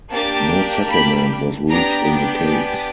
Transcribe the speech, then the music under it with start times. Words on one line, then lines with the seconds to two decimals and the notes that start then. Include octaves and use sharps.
No settlement was reached in the case.
0.10 A#3 D4 G4 A5
0.90 B5
1.69 B3 D4 G4 A#5
2.48 G#5